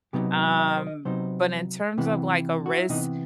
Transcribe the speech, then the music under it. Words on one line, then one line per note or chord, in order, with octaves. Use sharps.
Um, but in terms of, like, a risk,
C3 F#3 B3 D#4 G4
E5
D#5
C5
D#5
C3 F#3 B3 D#4 C5
C3 E3 B3
F#4
E4
C3 E3 B3 D#4